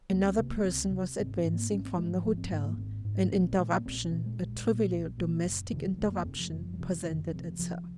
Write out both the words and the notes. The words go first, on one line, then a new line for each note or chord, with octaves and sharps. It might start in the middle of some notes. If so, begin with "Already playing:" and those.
Another person was advancing from the hotel; an interruption, a trivial domestic interruption, presented itself.
C#2 A#3
C4
C3 A#3
A#3
C#2 C4
C3
G#1 C4
C4
G#2
A#3
G#1 C#4
C4
G#2 G#3
F3
G#1 F3
C4
G#2 A#3
A#3
G#1 C4
G#2
A#1 C#4
A#3
C4
A#2 G#3
A#3
A#1 C4
A#2 C4
G#3
A#1
A#2
A#1
A#2
F#1
F2 C3 D#3
F#1 G#3
A#3
F2 C3 C4
F3
F#1 F3
F#3
F2 C3 F3
F#1 D#3
F2 C3
C2 F3